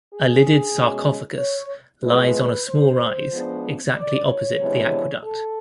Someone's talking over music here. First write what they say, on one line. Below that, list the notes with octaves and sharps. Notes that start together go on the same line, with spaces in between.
A lidded sarcophagus lies on a small rise exactly opposite the aqueduct.
G#4
B2 G#3 C#4
C#5
A2 F3 G#3 B3 B4
C5
F3 G#3 B3 D4
D5
C#5
C3 E3 G#3 B3 D4
A4